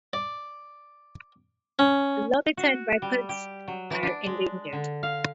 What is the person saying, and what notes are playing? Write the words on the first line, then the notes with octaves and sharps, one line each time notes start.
Lebetine vipers are endangered.
D5
C#4
F#4
G3
G4
F#3
E3
D4
G#3
D3
F5